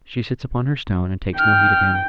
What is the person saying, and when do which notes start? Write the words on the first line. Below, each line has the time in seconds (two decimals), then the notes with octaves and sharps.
She sits upon her stone, and takes no heed of him.
1.38 G5 F6